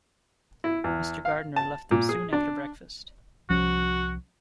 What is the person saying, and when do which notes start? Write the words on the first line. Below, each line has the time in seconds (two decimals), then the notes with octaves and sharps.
Mr. Gardiner left them soon after breakfast.
0.64 E4
0.84 E2
1.25 F5
1.56 A5
1.91 A#2
2.09 G#4
2.33 D4
3.50 C2 F3 C#4 F#4